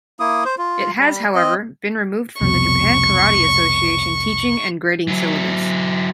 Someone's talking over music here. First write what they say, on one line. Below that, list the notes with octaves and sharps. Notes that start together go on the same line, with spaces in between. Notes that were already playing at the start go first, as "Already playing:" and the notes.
It has, however, been removed from the Japan Karate Association teaching and grading syllabus.
A#3 E4 D#6
C5
F4
G3
C4 D#5
C2 F2 B2 C#6
F#3 E4